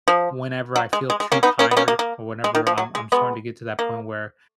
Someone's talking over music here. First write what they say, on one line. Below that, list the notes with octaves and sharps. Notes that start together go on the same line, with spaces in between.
whenever I feel too tired, or whenever I'm I'm starting to get to that point where
F3
F#3
G#3
G#3
G#3
A#3 C#4
B3 D#4
A#3 C#4
B3
A#3 C#4
A#3
A#3
G#3
D#3
F3
F#3
G#3
G#3 B3
A#3